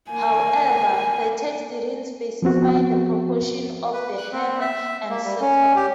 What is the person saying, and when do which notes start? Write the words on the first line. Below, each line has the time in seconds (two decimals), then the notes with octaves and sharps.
However the text didn't specify the proportion of the hammer and sickle.
0.11 A#3 G#5
2.42 F3 B3 C4 F#4
3.93 B4
4.17 F#6
4.32 C4
4.61 E5
5.10 A#3
5.24 G3
5.41 C#4
5.76 G4